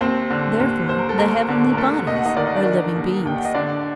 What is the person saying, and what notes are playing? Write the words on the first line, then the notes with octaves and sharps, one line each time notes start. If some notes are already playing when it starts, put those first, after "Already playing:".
Therefore the heavenly bodies are living beings.
D#2 C4 C5
D3
D#2
D#2 C5
A#4
A4
D#2 A#3 A#4
D3
A#4
D#2 A3 A4
D#2 D#5
F#5
D#4 D#5
D#3 D5
D#5
D4 D5
D#3
D#2
D#2 G5
F#5
D#5
D3 D4 D5